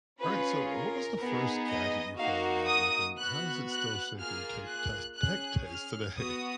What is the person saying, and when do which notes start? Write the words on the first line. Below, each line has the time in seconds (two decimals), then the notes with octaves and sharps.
All right, so what was the first gadget you fell in love with, and how does it still shape your ta test tech taste today?
0.19 C#4 F4 G#4 B4
0.69 A#4
1.20 B3 D#4 G#4
1.70 D#5
2.19 A#3 D#4 F#4 F5
2.69 D#6
3.18 B3 F#4 F#6
3.68 F#6
4.19 A#3 F4 G#4 F6
4.68 F#6
5.18 C#4 G#4 F#6
5.68 F6
6.18 B3 F#4 D#6